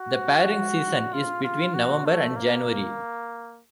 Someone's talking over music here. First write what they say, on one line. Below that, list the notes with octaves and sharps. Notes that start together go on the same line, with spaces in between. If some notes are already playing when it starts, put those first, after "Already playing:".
The pairing season is between November and January.
Already playing: F#4
F4
F4
F#4
A3
A#3